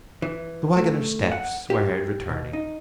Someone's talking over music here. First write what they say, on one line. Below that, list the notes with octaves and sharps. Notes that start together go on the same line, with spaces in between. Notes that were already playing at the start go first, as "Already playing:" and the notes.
The waggoner's steps were heard returning.
E3
A3
F#5
G4
B2
D#4